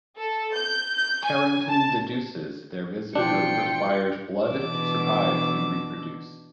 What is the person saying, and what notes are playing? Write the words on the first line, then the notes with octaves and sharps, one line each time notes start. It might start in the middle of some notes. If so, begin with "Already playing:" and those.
Carrington deduces their visitor requires blood to survive and reproduce.
A4
G6
G6
G#5
A5
B2 E3 F3 D4 F4 G5 C#7
B2 E3 D4 D6 E6